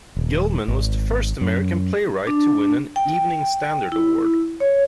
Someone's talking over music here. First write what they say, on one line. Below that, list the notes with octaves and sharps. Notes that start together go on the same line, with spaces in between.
Gilman was the first American playwright to win an "Evening Standard" Award.
D#1
G#1
F#2
D4
G5
E4
C#5